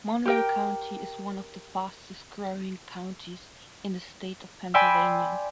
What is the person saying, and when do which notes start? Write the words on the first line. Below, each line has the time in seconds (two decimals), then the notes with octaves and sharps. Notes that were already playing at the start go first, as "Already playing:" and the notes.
Monroe County is one of the fastest-growing counties in the state of Pennsylvania.
0.25 G4 A#4 G5
4.74 D5 G5 G#5 B5 C6 E6